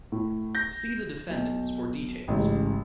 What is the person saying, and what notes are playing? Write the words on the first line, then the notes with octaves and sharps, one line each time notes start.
See the defendants for details.
A2
G6 A#6
B1
A1 G#2 C#3